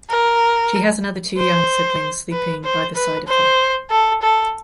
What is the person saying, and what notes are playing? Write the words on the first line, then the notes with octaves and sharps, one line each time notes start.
She has another two young siblings sleeping by the side of her.
A#4
C5
B4
C5
B4
C5
A4
A4